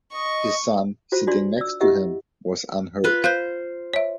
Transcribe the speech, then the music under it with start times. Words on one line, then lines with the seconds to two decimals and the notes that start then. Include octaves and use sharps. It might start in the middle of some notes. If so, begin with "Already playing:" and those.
His son, sitting next to him, was unhurt.
0.13 D#5 C#6
1.12 F4 F#4 C5
1.27 D4 F4 F#4 D5 C6
1.57 D5 E6
1.81 E4 G4 D#5 E5 F#5
3.04 F4 B4
3.24 C5 F5 F#6 G6
3.94 C#5 E5